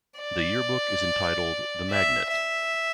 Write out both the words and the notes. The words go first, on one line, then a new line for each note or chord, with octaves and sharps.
The yearbook is entitled The Magnet.
D5
E5
E5